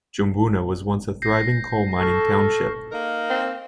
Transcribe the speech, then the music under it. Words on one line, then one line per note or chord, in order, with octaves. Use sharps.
Jumbunna was once a thriving coal mining township.
G6 A#6 C7
A4 C#6 F6
A#3 D#4 A#4
C4